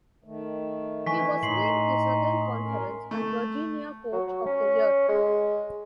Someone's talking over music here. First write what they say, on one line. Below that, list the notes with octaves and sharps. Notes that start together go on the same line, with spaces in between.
He was named the Southern Conference and Virginia Coach of the Year.
D#3 A3
E3 G#5 C#6 B6
A2 D#4 D#5 C6 C7 F#7
C#4 A#4
A3
F#3
F#3
C#4
G#3